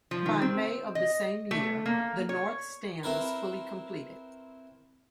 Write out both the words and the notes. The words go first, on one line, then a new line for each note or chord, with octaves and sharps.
By May of the same year the north stand was fully completed.
F3
D#3
C4
D#5
A3
A#3
C#5
C4 E4 A#4 B4